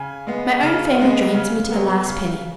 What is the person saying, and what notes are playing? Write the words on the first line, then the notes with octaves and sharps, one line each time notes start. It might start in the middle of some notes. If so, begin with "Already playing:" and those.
My own family drains me to the last penny.
Already playing: C#3 G#5
G#3 B3
C#3
G#3 B3
C#3
F#3 B3
C#3